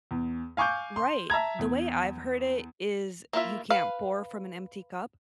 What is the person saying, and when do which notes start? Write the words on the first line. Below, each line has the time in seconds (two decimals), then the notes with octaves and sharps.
Right. The way I've heard it is you can't pour from an empty cup,
0.11 E2
0.57 F5 G#5 C#6 D6 G6
0.96 C6
1.30 E5 A5 A#5 G#6
1.59 E2
3.33 A#3 E4 F4 E5
3.70 B4 F5